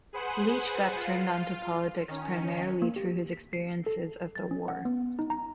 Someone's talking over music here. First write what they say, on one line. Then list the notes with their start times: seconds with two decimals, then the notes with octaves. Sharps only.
Leech got turned onto politics primarily through his experiences of the war.
0.13 G#4 B4 C5 F#5
0.96 F4
2.08 D#3 C#4
2.82 A#3
2.96 G4
3.33 B6
3.53 C7
3.86 A4
4.36 A6
4.51 C#4
4.68 F#5
4.85 B3
5.19 D#4
5.30 A#5